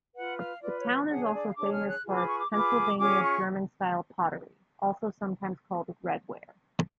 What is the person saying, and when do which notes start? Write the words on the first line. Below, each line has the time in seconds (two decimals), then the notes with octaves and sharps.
The town is also famous for its Pennsylvania German-style pottery, also sometimes called redware.
0.14 F4 B4 F#5
0.38 F5
0.61 F4 B4 D5
0.78 C#5
1.09 D4 G#4 C#5 F#5
1.21 C#5
1.33 D5
1.45 F5
1.56 D4 G#4 C#5 D6
1.72 F6
1.88 F#6
2.04 F4 G#4 B4
2.15 D6
2.27 C#6
2.39 D6
2.50 F4 G#4 B4 D6
2.98 C#4 F4 G#4 D6
3.22 C#6